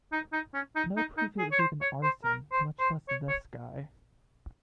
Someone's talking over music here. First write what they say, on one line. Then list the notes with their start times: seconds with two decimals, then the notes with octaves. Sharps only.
No proof it was even arson much less this guy.
0.12 D#4
0.33 D#4
0.54 C#4
0.76 D#4
0.97 D#4
1.17 D#4
1.38 G#4
1.51 C#5
1.60 C5
1.81 C#5
2.03 C5
2.24 A#4
2.52 C5
2.80 C5
3.08 C#5
3.29 C#5